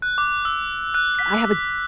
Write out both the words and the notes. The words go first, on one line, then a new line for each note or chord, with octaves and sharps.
I have a
F#6
D6
E6
F#6
B6